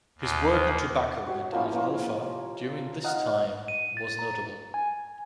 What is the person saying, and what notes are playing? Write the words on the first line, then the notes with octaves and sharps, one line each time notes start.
His work on tobacco and alfalfa during this time was notable.
D#2
F#4 G4 C#5
F3 A#3 C#4 E4
A#3 F4
D#4 D#5 F5 F#5
D#7
A6
A#5
G#5